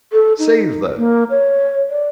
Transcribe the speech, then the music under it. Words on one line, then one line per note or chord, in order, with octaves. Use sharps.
"Save the--!"
A4
D#4
A#3
C#5
D5